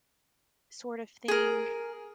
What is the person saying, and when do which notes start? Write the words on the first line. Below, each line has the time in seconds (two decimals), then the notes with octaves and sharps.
sort of thing
1.28 G#4 A#4